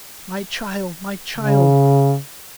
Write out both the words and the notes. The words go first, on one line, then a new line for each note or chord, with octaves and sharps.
'My child, my child!
C#3